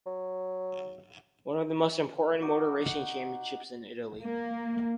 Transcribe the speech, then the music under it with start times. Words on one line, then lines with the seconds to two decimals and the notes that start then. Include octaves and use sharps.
One of the most important motor racing championships in Italy.
0.06 F#3
2.42 D#4 F#4 D5
2.76 F#5
4.22 A#3